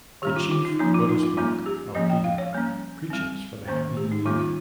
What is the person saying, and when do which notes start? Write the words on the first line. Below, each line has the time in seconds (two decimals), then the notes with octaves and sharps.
The chief Buddhist monk of Bihar preaches for the happy new year.
0.22 D#3 G3 C#4 G4
0.36 F4
0.51 F4
0.65 D#4
0.79 F3 A#3 C#4 D#4
0.94 F4
1.09 D#4
1.23 F4
1.37 G3 A#3 C#4 F4
1.66 G4
1.95 F3 A#3 C#4 D#5
2.10 G5
2.24 F5
2.38 C#5
2.53 G3 A#3 C#4
3.10 G3 C4
3.67 D#3 A#3 C#4 C5
3.97 G4
4.12 D#4
4.26 D#3 G3 A#3 C#4 F4
4.39 F4